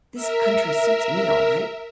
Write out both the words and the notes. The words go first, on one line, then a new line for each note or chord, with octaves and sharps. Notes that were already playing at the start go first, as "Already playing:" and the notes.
This country suits me all right.
A#4 E5